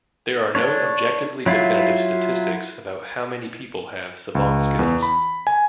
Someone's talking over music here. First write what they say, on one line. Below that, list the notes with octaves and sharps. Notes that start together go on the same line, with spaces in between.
There are no objectively definitive statistics about how many people have savant skills.
D4 C#5
F#3 E4 F4
C#2
E2
B5
G#5